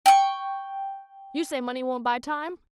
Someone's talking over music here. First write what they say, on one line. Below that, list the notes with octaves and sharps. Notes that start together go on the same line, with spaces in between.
You say money won't buy time?
G5 C#6